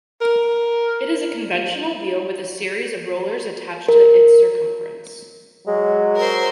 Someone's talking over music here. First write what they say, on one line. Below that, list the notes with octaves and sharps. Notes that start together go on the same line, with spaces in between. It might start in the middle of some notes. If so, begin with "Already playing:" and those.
It is a conventional wheel with a series of rollers attached to its circumference.
A#4
A#4
F#3 G#3
A#4 C5